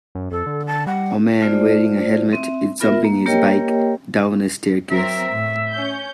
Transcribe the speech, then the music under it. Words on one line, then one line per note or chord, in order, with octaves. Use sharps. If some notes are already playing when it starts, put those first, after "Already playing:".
A man wearing a helmet is jumping his bike down a staircase.
F#2
F2 A4
D3
A5
G3 F#5
A3 F4 C5 D5
C4 E5
B3 F4 A#4 E5
A#3
A#3 G4 A#4 C#5 D#5 G5
F#3 C4 A#4 E5
A2
C#4 G6